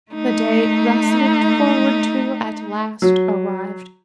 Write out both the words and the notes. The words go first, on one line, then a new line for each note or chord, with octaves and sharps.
The day thus looked forward to at last arrived.
A3 D#4
F#3